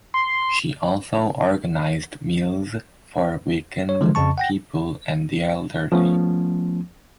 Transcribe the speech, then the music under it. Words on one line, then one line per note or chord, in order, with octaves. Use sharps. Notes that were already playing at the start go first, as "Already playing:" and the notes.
She also organized meals for weakened people and the elderly.
C6
C#5
D3 E3 F3 G#3
F2 C#3 A5 C#6
F#5 G5 A#6
F3 A3 B3 C#4